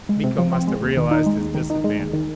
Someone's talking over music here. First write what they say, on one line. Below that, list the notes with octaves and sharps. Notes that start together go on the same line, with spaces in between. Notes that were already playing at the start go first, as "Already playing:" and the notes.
Miko must have realized his disadvantage.
G#3
C3
F3
C4
G#3
D#2
D#3
D#4
G#3
D#2
D#3
D#4
G#3
D#2
D#3